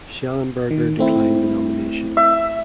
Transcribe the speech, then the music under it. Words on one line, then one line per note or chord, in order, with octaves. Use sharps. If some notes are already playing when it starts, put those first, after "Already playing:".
Shellenberger declined the nomination.
D#3
A3 C4 E4
E5